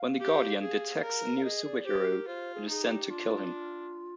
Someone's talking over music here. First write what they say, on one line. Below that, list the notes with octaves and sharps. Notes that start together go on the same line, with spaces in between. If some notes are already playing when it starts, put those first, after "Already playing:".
When the Guardian detects a new superhero, it is sent to kill him.
Already playing: F5
G4
G#4
A#4
F5
G#4 D#5
D5
G4 C5
A#4
F4 C5
G#4
D#4 G#4
G4
D4 F4